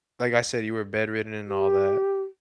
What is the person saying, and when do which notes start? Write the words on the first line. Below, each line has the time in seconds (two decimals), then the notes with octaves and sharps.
like, I said, you were bedridden and all that.
1.47 G4